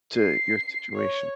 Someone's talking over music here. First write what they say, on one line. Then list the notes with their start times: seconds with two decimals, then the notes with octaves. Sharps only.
to your situation.
0.17 C7
0.95 C#5